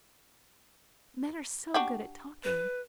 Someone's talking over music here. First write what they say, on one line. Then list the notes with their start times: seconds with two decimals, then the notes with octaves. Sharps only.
Men are so good at talking!
1.74 D4 F#4 G4
2.44 B4